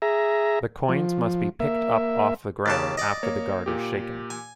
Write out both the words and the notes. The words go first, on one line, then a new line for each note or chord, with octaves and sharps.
The coins must be picked up off the ground after the guard is shaken.
G#4 E5 A#5
F3
A#3 E5
D#2 C#3 A5 A6
D5 D#5
A#3 C#5
A#2 G4
G#5